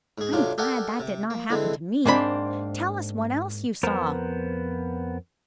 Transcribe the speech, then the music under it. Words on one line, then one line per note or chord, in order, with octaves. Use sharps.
"I am glad that did not happen to me. Tell us what else you saw."
G#2 G#4
F2 C3 F#3 D4 F4
G4 A4 A#4 D5 F#5 G#5
C3
A#3
D3 E3 G#3 C4
G#2 A#3 C4 D4 C5 B5
F2 B3 A#4 C5 A#5